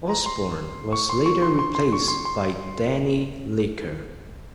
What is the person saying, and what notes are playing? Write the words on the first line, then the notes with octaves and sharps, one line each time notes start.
Osborne was later replaced by Danny Lilker.
A#5
C6
C#6
C6
C#6
C6
C6
C6
C#6
C6
C6